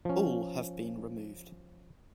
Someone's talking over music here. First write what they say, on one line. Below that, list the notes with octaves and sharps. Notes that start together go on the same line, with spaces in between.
All have been removed.
F3 C#4